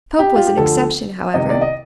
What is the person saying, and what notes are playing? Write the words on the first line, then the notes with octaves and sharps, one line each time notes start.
Pope was an exception, however.
G4
F4
G4
D2 D3 F3 A4
C2 C3 D#3 D#5
D5
D#5